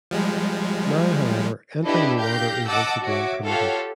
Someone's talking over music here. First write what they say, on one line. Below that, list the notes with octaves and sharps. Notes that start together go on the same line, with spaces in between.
Now, however, entering the water is once again permitted.
F3 G3 G#3
D4 E4 G4 A4 B4 D#5
G4 F5 G6 A#6
D#5 F#5 A5 D6 E6
F#4 C#5 E5 D6
F4 G4 A4 C#5 F5 F#5